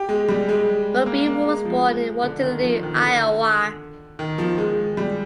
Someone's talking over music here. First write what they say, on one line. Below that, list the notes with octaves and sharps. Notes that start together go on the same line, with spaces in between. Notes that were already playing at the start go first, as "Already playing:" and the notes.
Roby was born in Waterloo, Iowa.
Already playing: G4
G#3
G3
G#3
A#3
A#3
G#3
F3
D3
D#3
F3
D#3
D3
D#3
F3
G#3
G3